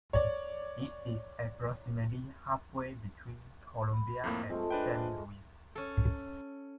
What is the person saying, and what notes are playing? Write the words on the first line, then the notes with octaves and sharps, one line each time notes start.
It is approximately halfway between Columbia and Saint Louis.
C#5 D5
B5
F2 A2 A#3
G#3 A3 C4 F4 A4 A#4 C5
D4 B4 G5
C#4 A4